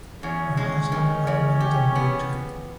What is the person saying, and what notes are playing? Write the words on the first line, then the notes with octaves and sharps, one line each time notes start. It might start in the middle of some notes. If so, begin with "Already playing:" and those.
Her husband found out and raped her.
E2 C#4
G#3 C#4
D#3
E2
G4
B3